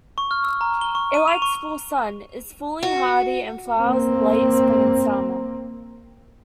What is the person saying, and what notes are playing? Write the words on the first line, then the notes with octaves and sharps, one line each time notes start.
It likes full sun, is fully hardy and flowers in late spring and summer.
C#6
F6
E6
A#5
G7
C#6
D#7
F7
C#6
F#4
A#3 C4